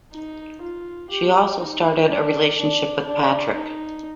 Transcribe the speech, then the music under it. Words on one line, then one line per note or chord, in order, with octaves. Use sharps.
She also started a relationship with Patrick.
D#4
F4
G4
D#4
D4
D4
D4
D#4